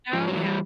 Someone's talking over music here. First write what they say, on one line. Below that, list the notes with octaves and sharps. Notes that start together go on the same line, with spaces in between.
Oh, yeah.
G#2 F3
F#3
E3
G3